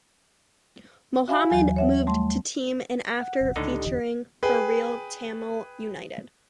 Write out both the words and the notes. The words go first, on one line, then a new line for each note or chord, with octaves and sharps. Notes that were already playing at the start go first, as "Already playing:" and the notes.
Mohammed moved to team in after featuring for Real Tamale United.
F#4 E5 F5 G#5 B5
D#2 E3 F#3 G#5
C#5 E5 F#5
G3 A3 C6
F#5
F#1 B1
C#2 A2 D3 D#4
G4 D#5
F1 E2 D3
G#4 B4 G5